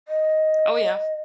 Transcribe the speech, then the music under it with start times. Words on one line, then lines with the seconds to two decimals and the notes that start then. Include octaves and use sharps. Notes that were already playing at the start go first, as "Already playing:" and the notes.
Oh yeah,
0.08 D#5